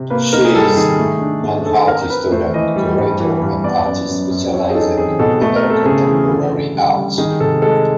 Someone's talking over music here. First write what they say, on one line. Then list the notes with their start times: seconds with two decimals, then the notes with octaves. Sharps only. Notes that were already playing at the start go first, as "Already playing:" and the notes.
She is an art historian, curator, and artist specializing in global contemporary art.
Already playing: C3
0.10 A#3 B4
0.33 D#4 A#4
0.45 G#4
0.55 G3 A4
0.77 D#3 G#4
0.99 A3
1.21 D4
1.43 A3 G#4
1.60 G#4
1.66 D4 A4
1.87 C4 A#4
2.10 C4 B4
2.31 A3 C5
2.54 E3 D#5
2.76 G3
2.98 G2
3.20 E3
3.42 G2
3.64 B3 D5
3.86 F#2 D5
4.09 F#2
4.31 F#2
4.53 C4 C#5
4.70 G#4
4.75 D#4 A4
4.97 C4 G#4
5.19 B2 A4
5.42 A3
5.56 A#4
5.63 C4
5.70 A4
5.85 C#3 G#4
6.07 E3 G#4
6.30 D3 A4
6.52 D3
6.74 G3
6.96 G3
7.18 D#3 G#4
7.40 C3 A4
7.62 G#3 A4